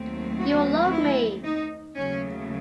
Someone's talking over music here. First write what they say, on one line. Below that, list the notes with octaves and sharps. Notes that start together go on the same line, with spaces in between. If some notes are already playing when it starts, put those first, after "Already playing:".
You love me.
Already playing: D#2 D#3 F#3 A3 C4
F#4
E4
D#4
D#2 C#3 F#3 A3 C#4